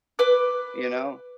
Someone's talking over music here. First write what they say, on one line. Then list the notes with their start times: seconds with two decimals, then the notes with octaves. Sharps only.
you know?
0.19 B4 D6 F#6